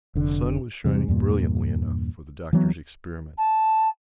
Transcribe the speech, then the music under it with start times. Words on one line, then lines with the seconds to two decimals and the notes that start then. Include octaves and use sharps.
The sun was shining brilliantly enough for the Doctor's experiment.
0.15 F1 D3
0.85 E2 C3 G3
1.08 E2 G2 A#2
2.53 E3 F#3 B3
3.37 A5